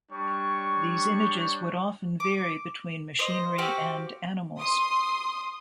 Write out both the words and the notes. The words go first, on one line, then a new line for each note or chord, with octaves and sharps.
These images would often vary between machinery and animals.
G3 D4 C#5 C#6
D6
C5 D#5
C4 F#4 G4 F5
C6 D#6